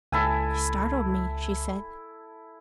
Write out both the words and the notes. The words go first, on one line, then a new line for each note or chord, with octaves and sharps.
"You startled me," she said.
C#2 E4 A4 G#5